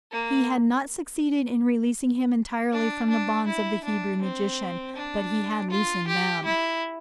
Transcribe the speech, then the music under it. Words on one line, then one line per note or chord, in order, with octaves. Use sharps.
He had not succeeded in releasing him entirely from the bonds of the Hebrew magician, but he had loosened them.
A#3
D4
D4
E4
D4
C4
D4
F4
G4
E4